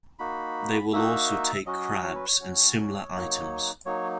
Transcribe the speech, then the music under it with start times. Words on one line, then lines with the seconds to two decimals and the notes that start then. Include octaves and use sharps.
They will also take crabs and similar items.
0.19 A#3 D#4 F#4 B5
0.92 A#3 D#4 F#4 E5
1.66 F#3 C#4 F#4 D#5
2.03 C#5
2.15 B4
2.28 C#5
2.40 F#3 C#4 F#4
3.12 F#3 A#3 D#4
3.85 F#3 A#3 D#4 C#5